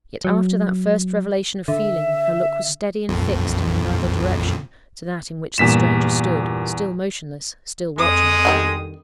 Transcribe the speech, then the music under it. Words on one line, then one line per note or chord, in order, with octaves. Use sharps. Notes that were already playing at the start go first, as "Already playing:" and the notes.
Yet after that first revelation of feeling, her look was steady and fixed in another direction to that in which the stranger stood,--still motionless--still watching.
F#3
D3 E5
A#1 F2
E2 G2 A#2 G3 B6 E7
F2 G#3 D#6
D3 D#3 G3